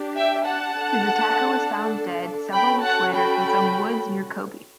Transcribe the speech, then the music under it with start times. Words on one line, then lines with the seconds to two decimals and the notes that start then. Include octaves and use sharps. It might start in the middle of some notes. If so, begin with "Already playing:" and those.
His attacker was found dead several weeks later in some woods near Kobe.
Already playing: D4 G4
0.16 E5 G5
0.46 F#5 A5
0.76 D4 A4
2.53 C#4 F#4 A4 G5 B5
2.82 F#5 A5
3.13 G5 B5